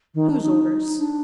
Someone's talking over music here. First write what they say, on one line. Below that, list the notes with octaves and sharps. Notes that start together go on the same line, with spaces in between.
"Whose orders?"
D#3
D4
D#4
D4